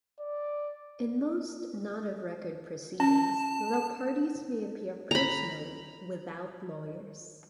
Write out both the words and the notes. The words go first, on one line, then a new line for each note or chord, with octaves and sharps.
In most "not of record" proceedings, the parties may appear personally, without lawyers.
D5
C#4 A5
A#5 B5